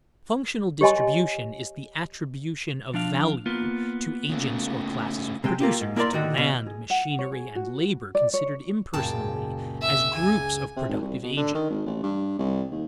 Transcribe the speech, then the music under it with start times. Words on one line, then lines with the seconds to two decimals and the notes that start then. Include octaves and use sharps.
Functional distribution is the attribution of value to agents or classes of producers, to land, machinery, and labor considered impersonally as groups of productive agents.
0.81 G4 C#5 D#5 G#5 C6
2.93 F3 D4 F5
3.46 A#3 B3 F4
4.31 C#3 A3
5.44 C3 G#3 G5
5.60 A3 A#3 F4 G4
5.81 G#2
5.96 A#3 E4 G#4 A#4 D5 C6
6.13 D3 D#3 F#4
6.38 B2
6.66 G#4
6.90 F#5
7.19 C#5
7.32 G#4
7.55 F#4
8.15 D5
8.34 C#5
8.94 C#2 F#2 A#2 G5 A5
9.82 E5
10.15 C#2 G#5
10.76 C3
10.89 G#1
11.01 C2
11.23 B2
11.37 D3
11.54 D#3
11.70 G#1
11.86 A1
12.03 G2
12.39 C2
12.71 D#2